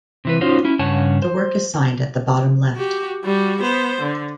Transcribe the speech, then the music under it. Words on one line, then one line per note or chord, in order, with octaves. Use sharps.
The work is signed at the bottom left.
C3 E3 B4
C#4 D#4 F4 F#4 C5 C#5
C#4 E4
G2 C#3 C#5 F#5 G#5 A5
C5
F#4 G4
G3 F#4
B3 C5
D3